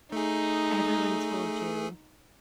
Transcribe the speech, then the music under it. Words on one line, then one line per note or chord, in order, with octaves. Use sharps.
everyone told you,
A3 D#4 G#4